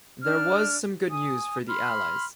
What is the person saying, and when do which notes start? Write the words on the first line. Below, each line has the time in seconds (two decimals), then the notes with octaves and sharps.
There was some good news for the Allies.
0.22 D4 F6
1.09 G#5 D#6
1.67 B5 C6 F6